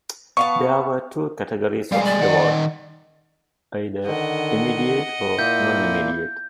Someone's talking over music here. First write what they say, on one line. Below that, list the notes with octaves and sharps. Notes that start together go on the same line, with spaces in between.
There were two categories of award, either "Immediate" or "Non-Immediate".
B3 F5 A5 C#6
G3 G#3 F5
D5
D#3 F#5
D3 D#3 D#5 F#5
A#2 A#3 E4 G6